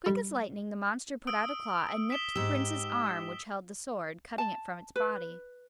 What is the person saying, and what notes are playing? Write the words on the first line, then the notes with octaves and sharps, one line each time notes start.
Quick as lightning the monster put out a claw and nipped the Prince's arm which held the sword, cutting it from its body.
G3
D#6 E6 D7
B6 E7 G7
G#2 G4 E6 E7
A5
B4